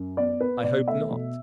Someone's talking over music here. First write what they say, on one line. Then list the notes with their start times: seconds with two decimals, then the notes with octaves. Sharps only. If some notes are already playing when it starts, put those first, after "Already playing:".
"I hope not."
Already playing: F#2
0.17 B3 D5
0.40 B3 B4
0.64 B2 D5
0.87 A3 E5
1.11 B2